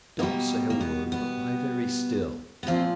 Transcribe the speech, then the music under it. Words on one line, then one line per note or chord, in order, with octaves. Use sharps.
"Don't say a word, but lie very still."
B2 G3 A#3
A#3
B3
B3
B3
A#2 F3 C4